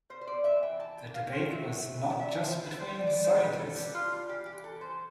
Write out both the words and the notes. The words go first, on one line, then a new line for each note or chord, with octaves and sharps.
The debate was not just between scientists.
G3 C5
C5
B3 D5
E5
E3
G5
E3 A5
G5
D4
F5
A3
C5
A3 E5
A3
E3
D5
B2 E5
B3 C5
D4 B4
C5
D4 D5
D5
B3
C5
B2
B4
G3 A4
G4
D4
F4
G3
F4
E3 G4
G4
E3
A4
E3
C5